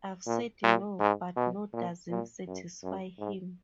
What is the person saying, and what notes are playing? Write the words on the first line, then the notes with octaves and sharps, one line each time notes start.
I've said no, but no doesn't satisfy him.
A#2
A#2
G#2
B2
A#2
A#2
F#2
F#2
G#2